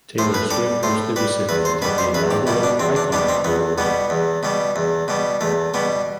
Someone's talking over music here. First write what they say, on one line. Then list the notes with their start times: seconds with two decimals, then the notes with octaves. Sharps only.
Taylor Swift was the recipient of the inaugural "Icon" award.
0.18 A2 C5
0.34 B4
0.51 G3 A4
0.83 A2 C5
1.16 G3 B4
1.49 E2 B4
1.65 C5
1.82 B2 B4
1.85 G3
1.98 C5
2.14 E2 B4
2.31 G4
2.47 B2 G3 E4
2.63 D4
2.79 E2 C4
2.96 D4
3.12 B2 G3 D4
3.28 C4
3.44 E2 B3
3.78 B2 G3 B3
4.10 E2
4.43 B2 G3
4.76 E2
5.08 B2 G3
5.41 E2 A3
5.74 B2 G3 B3